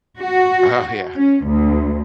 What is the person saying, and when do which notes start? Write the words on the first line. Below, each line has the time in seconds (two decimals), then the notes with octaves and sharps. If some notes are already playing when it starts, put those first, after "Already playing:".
Oh, yeah.
0.20 F#4
1.16 C#4
1.46 D2